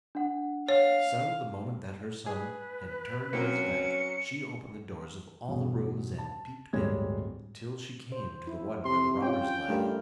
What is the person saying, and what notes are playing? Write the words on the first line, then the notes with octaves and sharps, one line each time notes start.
So the moment that her son had turned his back, she opened the doors of all the rooms, and peeped in, till she came to the one where the robbers lay.
D4 F#5
C#5 F5
G#4 B4
F#3 A#3 C4 C#4 A#4 C#7
E2 G2 B2
A5
D1 G1 G3 G#3 C#5 G#6
C5
E4
C3 C6
C#4 F4 G5
G2 A3 A#4